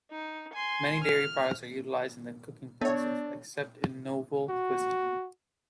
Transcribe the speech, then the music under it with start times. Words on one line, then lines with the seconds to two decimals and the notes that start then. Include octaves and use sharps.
Many dairy products are utilized in the cooking process, except in nouvelle cuisine.
0.11 D#4
0.53 G#5 C6
1.04 F6
2.81 B3 D4 A4 C#5
4.50 F#4